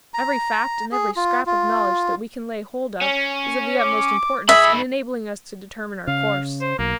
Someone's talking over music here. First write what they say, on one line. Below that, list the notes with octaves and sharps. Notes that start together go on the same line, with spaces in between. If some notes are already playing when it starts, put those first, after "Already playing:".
Every fact and every scrap of knowledge that we can lay hold of is of the utmost importance in enabling us to determine our course.
A#5
G#4
F4
F4
C#4
D6
G#2 G#4 E5 B5
C#3 F5
C5
B1 A#3